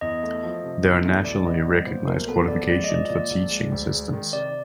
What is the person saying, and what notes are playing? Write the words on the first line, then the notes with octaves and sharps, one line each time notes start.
There are nationally recognised qualifications for teaching assistants.
E2 D#5
A3
F3
C3
E2
A3
B1 D5
B3 D#5
D5
G3
A#2 C5
B1 A#4
B3 A4
A#1 D5
G#3 D5
D#5
F3 D5
A#2 D5
A#1
G#3
D2
G#3
D#3
C3 D5